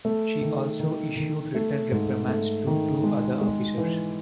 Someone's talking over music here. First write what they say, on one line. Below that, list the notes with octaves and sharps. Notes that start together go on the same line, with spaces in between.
She also issued written reprimands to two other officers.
A3
D#3
D#3
D#3
A3
G#2
A3
D#3
G#3
G#3
E3